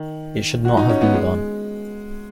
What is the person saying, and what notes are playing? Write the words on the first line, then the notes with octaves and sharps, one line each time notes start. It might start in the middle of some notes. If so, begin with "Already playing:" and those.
It should not have been done.
Already playing: D#3
F#4
D#4
C#4
B3
G#3